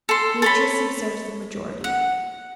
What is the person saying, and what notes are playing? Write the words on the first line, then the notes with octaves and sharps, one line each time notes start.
Nature subserves the majority.
A4 C6
A4 C#5 B5
F#5